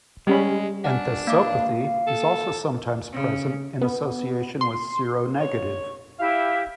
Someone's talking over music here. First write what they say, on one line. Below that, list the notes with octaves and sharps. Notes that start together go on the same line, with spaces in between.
Enthesopathy is also sometimes present in association with seronegative.
G3 G#3 C#4 G4 B5
D4 F#5 G#5 F6
A#3 F5 D6
A4
C#3
B3
C6
C#5
E4 G4 F5